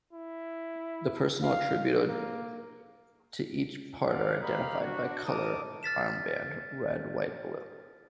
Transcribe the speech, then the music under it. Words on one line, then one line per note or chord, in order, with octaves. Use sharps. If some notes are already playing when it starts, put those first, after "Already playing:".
The personal attributed to each part are identified by a colour armband: red-white-blue.
E4
F5
A#3
A4 D5 F5 F#5
G4 A#4 D#5 F5 A#5 B5
D4 F#4
D#4 A#4 A5 D6 D#6
F6 A6 B6 E7